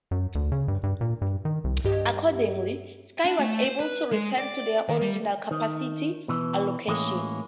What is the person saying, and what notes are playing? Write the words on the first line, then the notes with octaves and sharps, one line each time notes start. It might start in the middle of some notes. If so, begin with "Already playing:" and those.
Accordingly, Sky was able to return to their original capacity allocation.
F#2
D2
C#3
G2
G2
A#2
G2
D#3
C2
G2 G4 D#5 G#6
D4
A3
C5
B4
G#3
D5
D#3
G3
D#3
B2 E3
A2 E3 G#3 A#3 C#4